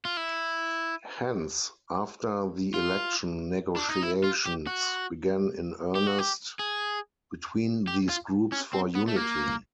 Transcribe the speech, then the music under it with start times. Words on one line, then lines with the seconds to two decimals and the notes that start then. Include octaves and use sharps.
Hence after the election negotiations began in earnest between these groups for unity.
0.05 F4
0.17 E4
2.74 F4
3.76 D4
3.89 D#4
4.03 E4
4.24 F4
4.46 G4
4.67 F#4
5.95 G4
6.07 F#4
6.18 G4
6.59 G#4
7.88 G4
8.09 F4
8.52 C#4
8.73 C4
8.95 B3
9.08 A3
9.16 A#3